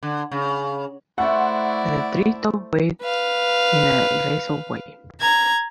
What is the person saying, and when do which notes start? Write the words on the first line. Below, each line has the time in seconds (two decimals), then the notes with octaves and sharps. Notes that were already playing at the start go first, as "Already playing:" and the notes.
The tree top waved in a graceful way.
0.03 D3
0.31 C#3
1.18 A3 E4 C5 D5 F#5
3.02 B4 F5
5.21 A#5 G#6